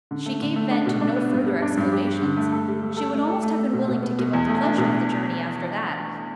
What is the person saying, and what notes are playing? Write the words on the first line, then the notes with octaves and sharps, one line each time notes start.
She gave vent to no further exclamations. She would almost have been willing to give up the pleasure of the journey after that.
D3
A3
D3
A3
D4
B2
D4
B3
G2
G3
D4
G2
G4
G4
D3
A3
A4
G3
G3
A4
A3
A4
A3
A3
B2
B2
B3
B2
E2
A3
D4
B2